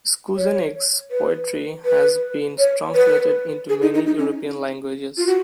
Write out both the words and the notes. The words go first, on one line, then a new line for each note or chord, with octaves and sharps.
Skujenieks' poetry has been translated into many European languages.
C#5
B4
B4
C#5
B4
G#4
D#4
D#4
D#4
C#4
F4
F#4